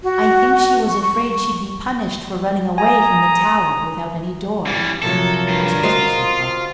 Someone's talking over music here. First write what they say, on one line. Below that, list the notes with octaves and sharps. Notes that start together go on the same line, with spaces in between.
"I think she was afraid she'd be punished for running away from the tower without any door," was Jose's reply.
F#4
C#6
C#6
G#5 A#5 D#6
F2 E3 G3
C3 F3 F#3 A4 A#4
G2
F4 F#4 C5 D#5